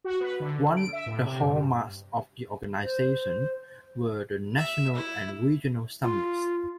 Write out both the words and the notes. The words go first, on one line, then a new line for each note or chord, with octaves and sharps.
One the hallmarks of the organization were the national and regional summits.
F#4
B4
D3
D7
E5
A2
C3
G2
C5
E5
E4
F4